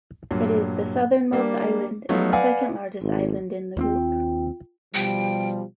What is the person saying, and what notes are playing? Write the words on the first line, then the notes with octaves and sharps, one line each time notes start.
It is the southernmost island and the second largest island in the group.
G2 A#2 F#3
G3 A#3 D4
F3 F#3 A3 B3 D#4 F4
B4 D5 F5 F#5 G#5
G#1
D#2 A#3 C4 F4 G5
B2 F3 G3 G5